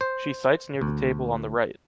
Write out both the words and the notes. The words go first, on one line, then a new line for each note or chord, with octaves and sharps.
She sites near the table on the right.
C5
D2